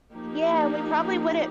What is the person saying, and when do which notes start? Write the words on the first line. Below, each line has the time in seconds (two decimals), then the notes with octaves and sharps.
Yeah, we probably wouldn't
0.13 F3 A#3 D#4 G4